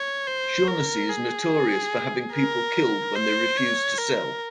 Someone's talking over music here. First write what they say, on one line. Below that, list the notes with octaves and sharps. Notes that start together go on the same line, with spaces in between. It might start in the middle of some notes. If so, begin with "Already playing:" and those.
Shaughnessy is notorious for having people killed when they refuse to sell.
Already playing: C#5
C5
A#4
G#4
A#4
C5
C#5
A#4